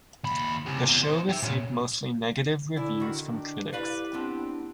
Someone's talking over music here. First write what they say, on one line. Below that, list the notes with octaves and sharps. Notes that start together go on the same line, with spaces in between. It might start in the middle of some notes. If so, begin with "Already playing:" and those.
The show received mostly negative reviews from critics.
D#2 B5
C#2 C3
E2
D#4 C5
G4 E5
A#2 C#4
F#2 D3 E4 D5
D#3 F#4
D4
E4 G4 B4 D5 F5
B3 C4 D4 G4